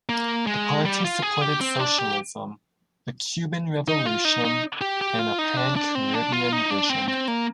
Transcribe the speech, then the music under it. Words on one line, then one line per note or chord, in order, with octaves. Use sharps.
The party supported socialism, the Cuban Revolution, and a pan-Caribbean vision.
A#3
G#3
G3
F4
G#4
G4
C4
D4
G4
D#4
F4
D#4
D#4
G4
G4
F4
D#4
D4
D4
C4
D4
F4
D#4
D4
C4
C4
A#3